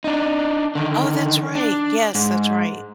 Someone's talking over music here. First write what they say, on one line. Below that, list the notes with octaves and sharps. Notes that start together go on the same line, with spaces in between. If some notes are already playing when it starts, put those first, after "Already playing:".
Oh, that's right, yes, that's right.
D4 D#4
D3 D#3
D4
G#2